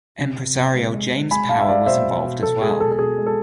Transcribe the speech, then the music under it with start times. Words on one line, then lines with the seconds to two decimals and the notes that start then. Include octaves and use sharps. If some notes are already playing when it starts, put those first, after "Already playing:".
Empresario James Power was involved as well.
0.19 C3
0.37 C3
0.56 C3
0.74 G#3
0.94 G#3
1.13 G#3
1.31 G#3 G#5 B5
1.49 G#3 F5 A5
1.61 E5
1.68 G#3 D5 F5
1.87 B2 C5 E5
2.05 B2
2.24 B2
2.43 B2 A4
2.62 G#3 G#4
2.80 B2 A4
2.92 A4
2.99 B2 G#4
3.18 G#3
3.27 A4